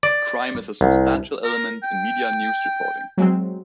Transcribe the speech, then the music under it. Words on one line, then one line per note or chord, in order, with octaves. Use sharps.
Crime is a substantial element in media news reporting.
D5
C2
A#4
G5
F#3 G#3 C4